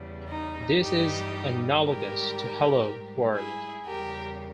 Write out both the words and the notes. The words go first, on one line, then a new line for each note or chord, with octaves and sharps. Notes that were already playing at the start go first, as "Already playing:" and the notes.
This is analogous to Hello, World!
Already playing: E2 C#3 G3
D#4
G2 E3 G3 D#4 G4
G#2 D#3 G3 G4 A#4
G#2 G3
E4 G#4
E2 C#3 G3 G4 A#4